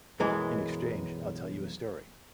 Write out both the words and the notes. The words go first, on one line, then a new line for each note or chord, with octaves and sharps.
In exchange, I'll tell you a story.
B1 F#2 E3 G#3 G#5